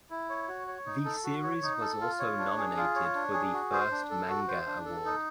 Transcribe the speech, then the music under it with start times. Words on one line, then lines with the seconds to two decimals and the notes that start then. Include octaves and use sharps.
The series was also nominated for the first manga award.
0.10 E4
0.29 C#5
0.48 F#4
0.67 C#5
0.86 D#4
1.05 A4
1.24 F#4
1.43 C#5
1.63 D#4
1.81 A4
2.01 F4
2.19 C#5
2.39 D4
2.58 G#4
2.77 F4
2.96 C#5
3.15 D4
3.33 G#4
3.53 F#4
3.72 C5
3.91 D4
4.10 A4
4.29 F#4
4.48 C5
4.67 D4
4.86 A4
5.05 D#4